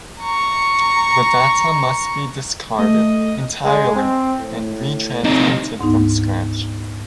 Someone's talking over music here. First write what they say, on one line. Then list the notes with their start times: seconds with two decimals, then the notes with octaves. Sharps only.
The data must be discarded entirely, and re-transmitted from scratch.
0.21 A#5 C#6
2.78 A3 D#5
3.64 G#3
3.95 C4
4.39 A2
5.24 C3 D#4
5.79 D2 G#2 B3 D#4